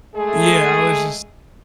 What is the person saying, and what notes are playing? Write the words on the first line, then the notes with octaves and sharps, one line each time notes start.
Yeah, I was just
G#3 A3 G#4